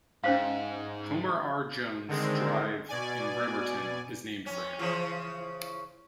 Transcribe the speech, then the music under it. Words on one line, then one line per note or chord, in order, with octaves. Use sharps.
Homer R. Jones Drive in Bremerton is named for him.
G#2 C#4 C5 F5
D3 D#3 G#3 C4
B2 D5 G#5
F2 C#4
C#3 E3 F3